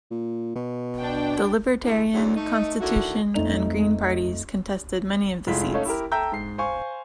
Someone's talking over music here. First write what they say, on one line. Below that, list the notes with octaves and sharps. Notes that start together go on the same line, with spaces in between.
The Libertarian, Constitution, and Green parties contested many of the seats.
A#2
B2
D4 G5
D3 G#3 E4
E2 G#2 D3 F#3 C#4 D4
A3 D#4
D3 D#3 A3 E4 F#4
F2 A3 D#4 F7
F1 G#3 E4 F4 B6
A3 C#4 D#4 C#5 F5
E4 G4 A#4
A4 E5 G5 A#5 E6 G6
G#2 C7
C5 F5 G#5 C#6